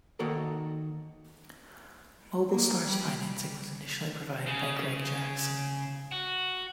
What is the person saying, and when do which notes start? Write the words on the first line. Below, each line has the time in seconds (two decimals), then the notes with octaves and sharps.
MobileStar's financing was initially provided by Greg Jackson.
0.19 D#3 A#3 F#4 A4 A#4
2.52 A#3
2.86 G3
3.23 G3
4.47 C#3
6.12 F#4